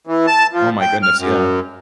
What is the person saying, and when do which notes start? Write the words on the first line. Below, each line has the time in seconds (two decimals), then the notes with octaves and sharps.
Oh, my goodness, yeah.
0.07 E3
0.27 A5
0.53 F3
0.81 G5
1.03 F6
1.18 F#2